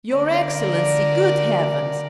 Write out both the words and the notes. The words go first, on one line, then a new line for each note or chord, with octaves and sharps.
"Your Excellency, good heavens!"
D3 A#4 D5